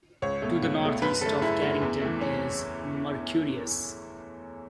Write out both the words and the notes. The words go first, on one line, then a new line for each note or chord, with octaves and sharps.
To the northeast of Carrington is Mercurius.
C#2 C#5
B2 A3
C#2
B2 A3
F#2 B4
C#3 A3 A4
F#2 E4
C#3 A3
E2
E3 A3
C#4